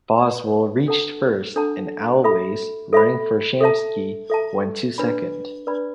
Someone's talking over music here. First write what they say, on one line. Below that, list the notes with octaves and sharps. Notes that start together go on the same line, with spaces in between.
Boswell reached first and Al Weis, running for Shamsky, went to second.
B4 D5 B5
D4 A4 F#5 A5
D4 A4 F#5 A5
A4 E5 B5
A4 E5 B5
A4 E5 A5
A4 E5 A5
D4 B4 D5 B5
D4 B4 D5 B5